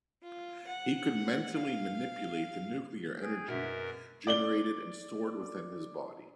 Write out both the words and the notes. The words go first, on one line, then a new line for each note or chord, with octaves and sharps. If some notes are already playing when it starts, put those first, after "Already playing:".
He could mentally manipulate the nuclear energy generated and stored within his body.
F4
F#5
F5
G#4 G5 G6
F#2 B2 A#4 E5
D5 F#7 G7